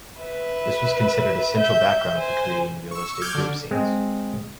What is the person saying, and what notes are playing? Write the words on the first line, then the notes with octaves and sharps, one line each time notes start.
This was considered essential background for creating realistic group scenes.
B4 E5
E5 G6
C5 G#5
C#6 E6
D6 F6 G6 G#6
D3 D4
G#3 C4